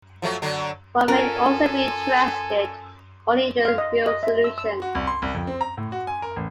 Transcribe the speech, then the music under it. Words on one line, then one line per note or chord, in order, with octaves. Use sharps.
One may also be interested only in the real solutions.
F3 F#3 A3
D3 F#3 D4
C#4 F4 A4 A#4 G#5
F5
D#5
D#5
E5
E6
E6
F#4
C2
C6
C2
F2
C4
A#5
A2
F#4
G#5
A#4
A1